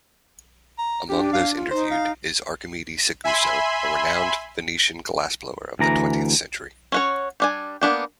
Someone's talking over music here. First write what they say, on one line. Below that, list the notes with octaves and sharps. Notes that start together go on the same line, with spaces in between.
Among those interviewed is Archimede Seguso, a renowned Venetian glassblower of the twentieth century.
A#5
D4 G4
F5
F4
D#4 C5
F5
E5 G#5 B5 C6
D2 E3 A#5
C#4 F#4 C#5
G3 D4 G#5
A#3 B3 D4 G5